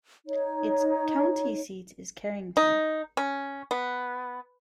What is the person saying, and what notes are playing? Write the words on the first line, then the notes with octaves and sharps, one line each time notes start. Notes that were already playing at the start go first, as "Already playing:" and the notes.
Its county seat is Carrington.
D#4 C#5
D#4
C#4
B3